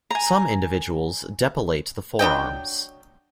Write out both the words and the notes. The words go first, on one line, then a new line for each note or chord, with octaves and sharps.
Some individuals depilate the forearms.
G#5 A#5
F#3 D4 D#5 G5